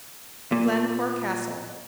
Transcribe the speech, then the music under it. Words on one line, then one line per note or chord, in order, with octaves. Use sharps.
Glencore Castle.
A#2